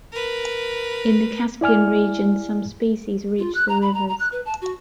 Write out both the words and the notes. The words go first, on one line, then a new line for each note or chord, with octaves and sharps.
In the Caspian region some species reach the rivers.
A#4 B4
E4 D5 G#5 F6
F4
F#6
A#5
B5
A#5
A#5
F#6
B4
A5
F#4